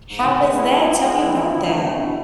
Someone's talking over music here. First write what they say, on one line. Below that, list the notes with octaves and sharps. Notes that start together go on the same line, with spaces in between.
How was that, tell me about that.
G#2
C3 B3
G#3
E4
F3
B3
G#3
E3 E4
F3
D3 E4
E3
A3
C4
B2 D4
B2 E4